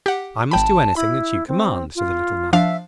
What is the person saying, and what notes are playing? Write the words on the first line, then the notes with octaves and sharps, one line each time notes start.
'I must do anything that you command,' said the Little Man.
G4 F#5
G#1 G5 A5 B5
E4 B5
C4
F4
F3 D4 E5 F5